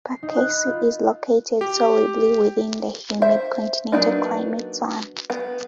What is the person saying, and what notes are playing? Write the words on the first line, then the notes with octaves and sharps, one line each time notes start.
Perkasie is located solidly within the humid continental climate zone.
C7
D#4
F#6
B5
F4
G4
C5 E5
F#3 A#3 B3 D4 D#4
B3